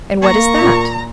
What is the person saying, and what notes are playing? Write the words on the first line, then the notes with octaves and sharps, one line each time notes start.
"And what is that?"
A#3 A#5 C#6
A#2